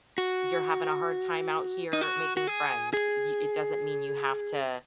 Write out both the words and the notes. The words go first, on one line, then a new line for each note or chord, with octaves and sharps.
you're having a hard time out here making friends, y it doesn't mean you have to,
F#4
D#4
F#4
F#4
G#4
G#4